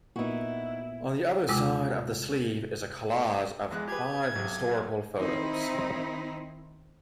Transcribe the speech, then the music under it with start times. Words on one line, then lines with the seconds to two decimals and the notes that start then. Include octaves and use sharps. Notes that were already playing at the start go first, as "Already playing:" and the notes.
On the other side of the sleeve is a collage of five historical photos.
0.16 A#2 B3 D#4 E4 F#4
1.48 D#2 C3 G#3 F4 D6 E6
3.71 E2 G#3 F#6
3.88 G4 G#4 B4 G#6
4.35 B1 C3
5.16 D#3 C4 D#4 E4